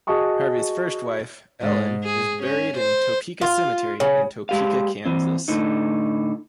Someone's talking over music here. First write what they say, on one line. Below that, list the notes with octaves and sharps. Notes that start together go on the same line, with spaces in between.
Harvey's first wife, Ellen, is buried in Topeka Cemetery in Topeka, Kansas.
F#4 G#4 D#5 A5 C#6 D#6
G#2
G#4
C#4
C5
F4
C#3
G#3 G4 F5
E3 C4
A2 D3 D#4